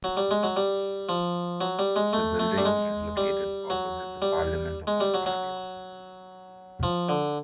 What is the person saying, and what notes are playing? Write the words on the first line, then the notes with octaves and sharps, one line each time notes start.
The building is located opposite the Parliament of Ontario.
F#3
G3
G#3
F#3
G3
F3
F#3
G3
G#3
A3
A3
G3
G#3
G3
F#3
G3
G#3
G3
F#3
F#3
F3
D3